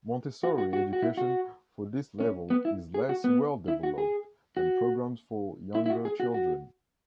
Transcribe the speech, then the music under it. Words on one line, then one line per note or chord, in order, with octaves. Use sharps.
Montessori education for this level is less well-developed than programs for younger children.
F#4
F#4
F#4
F#4
E4
F#4
C#4
B3
E4
G#4
F#4
B3
E4
F#4
G#4
F#4
E4
E4
F#4
G#4
F#4
F#4